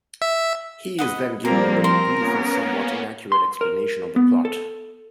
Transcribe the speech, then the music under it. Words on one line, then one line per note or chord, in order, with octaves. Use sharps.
He is then given a very brief and somewhat inaccurate explanation of the plot.
E5
B4 D#5 F#5
F3 G3 A#3 C4 A#4
A#4 C6
A#3 B3 C#4
C6
A#4
B3
A4